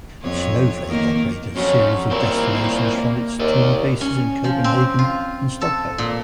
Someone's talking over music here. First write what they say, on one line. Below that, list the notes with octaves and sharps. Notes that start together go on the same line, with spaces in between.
Snowflake operated a series of destinations from its two bases in Copenhagen and Stockholm.
F2 C#5
D#3 A#3 A#4
F2 F#3 C#4
D#2 A#2 A#3 C4 E4
D#2 D5 E5
C#4
F3
C4
F4
A4
A#2